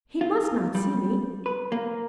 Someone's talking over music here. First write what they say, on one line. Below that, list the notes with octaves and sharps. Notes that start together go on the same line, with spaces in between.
He must not see me.
F4
G3
B4
A#3